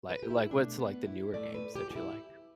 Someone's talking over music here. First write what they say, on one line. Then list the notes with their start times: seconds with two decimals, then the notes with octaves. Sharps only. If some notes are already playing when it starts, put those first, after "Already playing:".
like like, what's, like, the newer games that you like?
0.09 B4
0.23 G4
0.30 E4
0.51 B2 A3 D4
0.79 B3
1.06 E4
1.34 A2 A3 D5
1.55 B4
1.76 G4
1.91 G4
1.96 E4